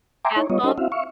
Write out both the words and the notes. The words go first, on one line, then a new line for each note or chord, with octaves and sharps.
Bath bombs.
E5 G5 G#5 A#5 C6 D6
D#4 E4 C#5
G3 B3 F4 C#5 D#5
C#4 D#4 F#4 A4 C5 D#5
C4 E4 F#4 E5 F5
E5 F5 C#6